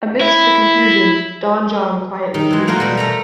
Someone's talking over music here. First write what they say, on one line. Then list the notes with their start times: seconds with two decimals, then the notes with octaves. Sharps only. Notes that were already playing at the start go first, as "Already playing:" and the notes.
Amidst the confusion, Don John quietly flees.
0.21 E4
2.34 D#3 D#4
2.51 E3 G#3
2.67 A3 A#3 F4 F#4 A#4
2.80 B2 G3
2.97 A3 A#4 A#5